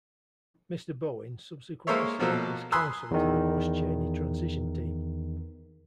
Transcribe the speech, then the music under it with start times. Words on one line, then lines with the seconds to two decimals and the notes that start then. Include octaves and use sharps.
Mr. Bowen subsequently served as Counsel to the Bush-Cheney transition team.
1.87 G#3 A#3 A4 C5 C#5 E5
2.20 B2 F3 F#3 A#3 A4
2.72 G#5 B5 C6 D#6 E6 F#6
3.11 E2 D#3